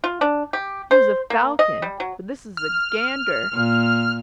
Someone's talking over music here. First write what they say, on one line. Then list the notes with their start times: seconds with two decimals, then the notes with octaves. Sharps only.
He was a falcon, but this is a gander.
0.04 F4
0.21 D4
0.53 G4
0.91 C5
1.30 A#3
1.59 D#5
1.82 G3
2.00 F#3
2.57 F6
3.53 A#2